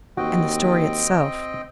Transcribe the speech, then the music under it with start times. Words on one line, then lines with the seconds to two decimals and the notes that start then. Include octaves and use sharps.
And the story itself.
0.17 D#2 C4 F#4 D#5 G5